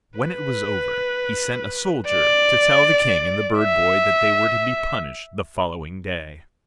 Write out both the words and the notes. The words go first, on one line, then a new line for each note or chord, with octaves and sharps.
When it was over, he sent a soldier to tell the King and the bird-boy that they were to be punished the following day.
B4
D5
E5